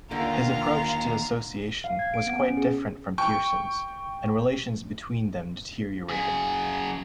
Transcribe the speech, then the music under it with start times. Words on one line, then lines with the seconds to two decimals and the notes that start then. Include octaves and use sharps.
His approach to association was quite different from Pearson's and relations between them deteriorated.
0.11 D#2 D3 A#3 F4 A#5 F7
1.84 F5
1.99 G#6
2.14 D7
2.27 B3
2.41 C#4
2.57 G#4
3.18 G5 C#6
6.09 F#2 G#4